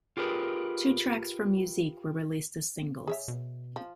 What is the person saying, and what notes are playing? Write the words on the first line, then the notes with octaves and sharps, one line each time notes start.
Two tracks from "Musique" were released as singles.
F4 G4 G#4 A#4 B4
G#4 C#5 E5
B2
F3